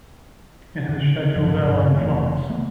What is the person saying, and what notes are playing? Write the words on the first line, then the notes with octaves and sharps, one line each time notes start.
It has scheduled airline flights.
D3
A1 G2 F3
G2 B2 F#3
F1 D#2 E3 A3
A3 B3